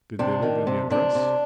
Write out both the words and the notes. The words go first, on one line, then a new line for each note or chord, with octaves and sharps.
"Did they leave any address?"
C3 D4
D#3
C3
C3 D4
C3